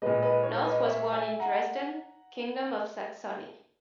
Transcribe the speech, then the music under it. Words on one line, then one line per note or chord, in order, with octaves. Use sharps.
Noth was born in Dresden, Kingdom of Saxony.
A#2 G#3 B4 D#5
B4 D#5
C#5
C#5
B4 D#5
C#5 E5
E5 G#5
F#5 A#5